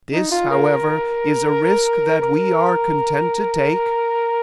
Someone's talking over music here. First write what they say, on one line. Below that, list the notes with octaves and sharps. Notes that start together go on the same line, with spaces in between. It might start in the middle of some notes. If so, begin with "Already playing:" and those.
This, however, is a risk that we are content to take.
D#4
F4
A#4
A#4